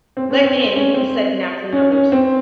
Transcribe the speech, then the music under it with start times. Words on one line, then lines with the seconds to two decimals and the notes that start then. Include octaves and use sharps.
Let N be the set of natural numbers.
0.17 C4
0.31 C#4
0.44 C4
0.56 C4
0.76 C#4
0.94 C4
1.72 C#4
1.92 C#4
2.12 C4